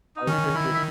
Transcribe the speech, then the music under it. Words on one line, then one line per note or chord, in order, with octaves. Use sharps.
I think i
D#4
D#3 C#4
E4
E5